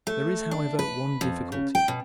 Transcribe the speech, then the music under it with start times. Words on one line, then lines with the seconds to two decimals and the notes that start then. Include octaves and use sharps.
There is, however, one difficulty.
0.07 A3
0.51 D4
0.79 B4
1.21 F2
1.52 C#3
1.75 G5
1.88 B2